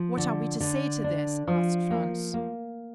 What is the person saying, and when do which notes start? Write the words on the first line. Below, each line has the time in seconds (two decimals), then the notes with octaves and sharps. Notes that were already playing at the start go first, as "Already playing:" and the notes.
"What are we to say to this?" asked Franz.
Already playing: F3
0.17 D3
0.60 D3
1.04 D4
1.47 F3
1.91 A#3
2.34 A#3